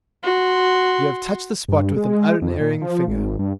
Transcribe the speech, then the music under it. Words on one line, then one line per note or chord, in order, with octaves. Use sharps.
'You have touched the spot with an unerring finger.
F#4 C6
G2
G#3
F2
A#2
F3
G#1
G2